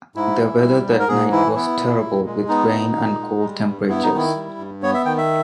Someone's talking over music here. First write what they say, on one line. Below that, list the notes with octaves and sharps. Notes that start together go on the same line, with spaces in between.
The weather that night was terrible with rain and cold temperatures.
G#2 E4
E3
G3
G#2
A#4
G#2 G#4
E3 E4
B3 E4
A#2
A#2
G#3
B3 D#4
A#2
A#2
G#3
G3
G2
B3 E4
D#4
D#3 E4
G3
G2
B3 C#5
E5
D#3 G5
E5